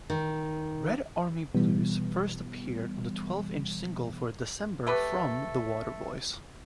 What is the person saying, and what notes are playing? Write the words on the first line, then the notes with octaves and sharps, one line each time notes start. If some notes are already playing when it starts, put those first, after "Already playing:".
"Red Army Blues" first appeared on the twelve-inch single for "December" from "The Waterboys".
D#3
B2 E3 G3 B3
A3 G4 B4